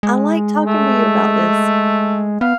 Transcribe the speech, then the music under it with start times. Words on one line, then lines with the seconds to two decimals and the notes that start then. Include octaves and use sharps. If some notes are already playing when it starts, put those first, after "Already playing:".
I like talking to you about this.
0.03 G#3
0.66 A3
2.41 B3 F5